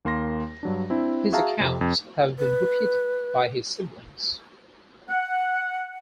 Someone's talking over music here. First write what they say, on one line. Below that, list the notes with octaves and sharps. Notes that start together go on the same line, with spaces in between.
His accounts have been repeated by his siblings.
D#2 A#3 C6 A#6
G2 F#3 D4
C4 D4 E4
F#4 G#4 E5 F5 A5 A#5
F2 C3
F2
B4
F#5